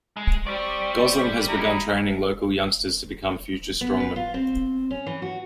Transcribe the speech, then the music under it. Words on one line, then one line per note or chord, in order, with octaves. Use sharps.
Gosling has begun training local youngsters to become future strongmen.
G#3
G3 C4 D5 C#6
D#4 E4
B3
B4
F4
C4
C#4
E3
F#4